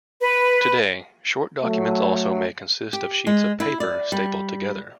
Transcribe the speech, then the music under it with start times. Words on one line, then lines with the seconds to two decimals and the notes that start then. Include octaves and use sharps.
Today, short documents also may consist of sheets of paper stapled together.
0.20 B4
1.63 F#3 A3
2.93 G4
3.27 G#3
3.60 E4
3.80 D5
4.12 G3